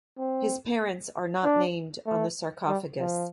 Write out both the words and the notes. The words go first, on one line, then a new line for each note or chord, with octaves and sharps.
His parents are not named on the sarcophagus.
C4
D4
A3
G3
F3